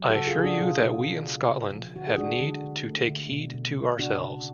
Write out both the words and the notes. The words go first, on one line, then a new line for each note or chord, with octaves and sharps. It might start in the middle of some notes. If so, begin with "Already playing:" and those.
I assure you that we in Scotland have need to take heed to ourselves.
Already playing: F#3
F#4 A4
C#3
F4 G#4
C#3 G#4
D4 F#4
B2 F4 G#4
B2
B2
C#3
C#3
F3
D3 F#4
G#4
G#3 D4 F#4
D3
D3
A3
D3
B2
B2
B2
C#3 D4 F#4
C#3